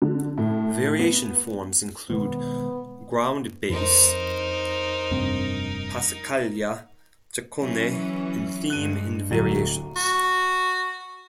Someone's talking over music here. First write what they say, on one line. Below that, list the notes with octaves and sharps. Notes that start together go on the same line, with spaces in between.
Variation forms include ground bass, passacaglia, chaconne, and theme and variations.
D3
A2
B3
B2 D#3 G#3 B3
F2 D#4 A#4 C5
F1 G2 C4
E3 F#3 C#4
G2 G#3 F#6 D#7
D1 D2 F#3 D#7
F#4